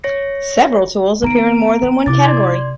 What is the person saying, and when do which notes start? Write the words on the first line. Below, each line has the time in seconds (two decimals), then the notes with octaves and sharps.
Several tools appear in more than one category.
0.04 C#5 A#6 C#7
1.22 D#3 B3 D#4 A#5 D7
1.82 E3 C4
2.06 C3 E4 D6 A6
2.24 D5 C6 G#6